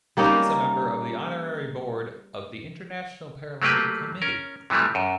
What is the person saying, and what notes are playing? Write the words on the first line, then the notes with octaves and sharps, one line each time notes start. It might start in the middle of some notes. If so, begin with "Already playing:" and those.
She is a member of the honorary board of the International Paralympic Committee.
G3 A#3 C#4 D#4
F#3 A3 A#3 G4 B4
C#4 A#4
C3 E3 F#3 G3 A3
F#2